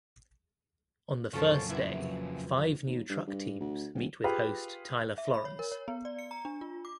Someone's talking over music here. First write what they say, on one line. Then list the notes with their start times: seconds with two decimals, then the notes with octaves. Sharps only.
On the first day five new truck teams meet with host Tyler Florence.
1.33 F2 A#2 C#3 F#3 A#3 C#4 A4 C5
1.69 A#1 F#2 E4 B4 G#6
2.86 D#2
3.09 G2
3.27 G2
3.60 D2
3.94 D1
4.24 F4 G4 G#4 B4 F5
5.18 E5
5.34 B5
5.45 C#5
5.59 A#4
5.72 C#5
5.88 B3
6.05 D5
6.19 C#7
6.31 A#5
6.45 D4
6.61 F4
6.85 D6